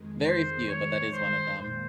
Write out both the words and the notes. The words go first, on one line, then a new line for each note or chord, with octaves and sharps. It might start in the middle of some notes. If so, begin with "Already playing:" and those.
Very few, but that is one of them.
Already playing: F2 D#3 G#3
C5
C#5
C5
A#2 C5